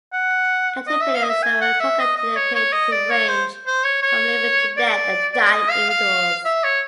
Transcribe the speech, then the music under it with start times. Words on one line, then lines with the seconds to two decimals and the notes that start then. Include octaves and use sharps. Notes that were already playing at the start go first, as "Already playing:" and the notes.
Caterpillars that were targeted appeared to range from living to dead and dying individuals.
0.13 F#5
0.87 D#5
1.01 E5
1.15 F5
1.23 D#5
1.29 E5
1.43 G#5
1.61 F#5
1.80 E5
1.99 D#5
2.17 D#5
2.37 C#5
2.55 C#5
2.72 D#5
2.92 D5
3.11 C#5
3.28 C5
3.67 C5
3.84 C#5
4.03 C#5
4.77 D5
5.33 D5
5.52 D#5
5.70 F5
5.89 F5
6.45 E5
6.64 C#5